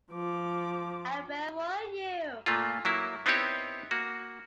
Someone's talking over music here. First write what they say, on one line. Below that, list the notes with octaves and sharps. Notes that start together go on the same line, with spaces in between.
And where were you?
F3 D6
A#2 A3 A#3 F4
F#3 A#3 E4
B3 C4 D#4 E4 G4 C#5
A#3 F#4